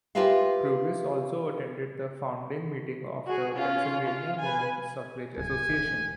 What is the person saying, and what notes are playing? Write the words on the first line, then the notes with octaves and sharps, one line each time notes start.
Purvis also attended the founding meeting of the Pennsylvania Woman Suffrage Association.
F4 G4 A#4 B4 E5 F5
F#4 G#4
C#4 F4
F4
B4 G#5
D1 G#5
E1